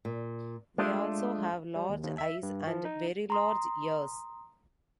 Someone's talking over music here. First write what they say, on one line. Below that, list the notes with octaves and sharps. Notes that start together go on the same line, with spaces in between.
They also have large eyes and very large ears.
A#2
G#3 A3 D4 F4
G3
D#2
D#2
E5
G2
F3
D#4
A#5 C6 D#6